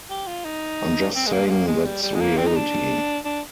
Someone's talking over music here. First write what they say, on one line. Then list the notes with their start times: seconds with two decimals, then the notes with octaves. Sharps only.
I'm just saying that's reality.
0.10 G4
0.27 F4
0.45 D#4
1.15 C4
1.27 G#3
1.33 A#3
1.46 G#3
1.50 A#3
1.67 G#3
1.84 G3
2.03 G3
2.15 G#3
2.21 A#3
2.37 C4
2.47 D#4
2.55 D4
3.25 D4